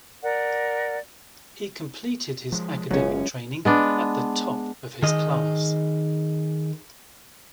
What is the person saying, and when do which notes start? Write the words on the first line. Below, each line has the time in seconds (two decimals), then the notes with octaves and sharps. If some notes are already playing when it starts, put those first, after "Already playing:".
He completed his academic training at the top of his class.
0.22 A#4 D5 F#5
2.52 F3 G#3
2.91 F#1 C#2 F#2 C#4
3.65 G#3 B3 D4
5.03 D#3 G#4 D#5